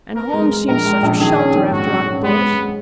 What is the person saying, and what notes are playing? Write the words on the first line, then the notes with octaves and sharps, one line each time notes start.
And home seems such a shelter after out of doors!
B3 A#4
G#3
G#3
A#1 A#4
G#3
A#1
D#3 G#4
C#4
D#3
G#2 F#4
G#2
C#4
G#3 B3
G#3
G#3